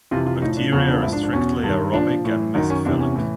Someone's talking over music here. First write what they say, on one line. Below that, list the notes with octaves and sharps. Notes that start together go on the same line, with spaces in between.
The bacteria are strictly aerobic and mesophilic.
F2 C3 E3 F4
F4
A2 F3 D#4
D4
E2 C#3 F3 C#4
D4
G#2 F3 E4
D4
D4
E2 B2 C#4
G2 D#3
A#2 F3 D4
A2 E3
F#2 D#3 D#4
C#4
E2 C3 E3 D4
C#4
A2 E3